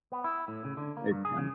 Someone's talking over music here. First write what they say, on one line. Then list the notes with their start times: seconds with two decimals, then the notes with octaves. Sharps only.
It can.
0.12 B3
0.24 E4
0.48 A2
0.65 C#3
0.77 D3
0.97 A#3
1.11 G2
1.25 G#4
1.38 C#3